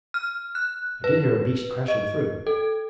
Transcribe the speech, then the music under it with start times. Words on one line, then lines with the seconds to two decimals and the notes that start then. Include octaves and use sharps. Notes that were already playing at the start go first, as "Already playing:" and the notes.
'I did hear a beast crashing through.
0.14 F6
0.55 F#6
1.04 B4
1.88 D#5
2.47 A4